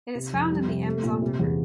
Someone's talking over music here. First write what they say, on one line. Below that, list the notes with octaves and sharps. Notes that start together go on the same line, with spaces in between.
It is found in the Amazon River.
C3
F2
G3
C3
A3
A#2
C3
E2